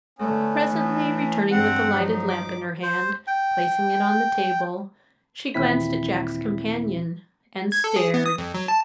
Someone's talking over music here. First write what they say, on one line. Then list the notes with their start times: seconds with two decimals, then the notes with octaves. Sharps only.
Presently, returning with the lighted lamp in her hand, placing it on the table, she glanced at Jack's companion--and stared.
0.19 D3 A3 B3 C#4
0.69 E3 A3
1.51 G2 C4 F#5
1.94 F3 F#3 D#4
2.29 D6
2.83 C5
3.27 G5
5.54 A1 D#2 A#2 C4 E4 B6
7.72 G#6
7.84 A4
7.96 G#4
8.14 B3
8.26 D#6
8.38 F2
8.54 F#3
8.68 A5